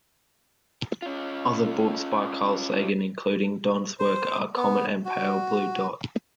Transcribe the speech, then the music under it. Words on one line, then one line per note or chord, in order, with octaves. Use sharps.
Other books by Carl Sagan including Don's work are "Comet" and "Pale Blue Dot".
C#4 F4
C5
B3
F#4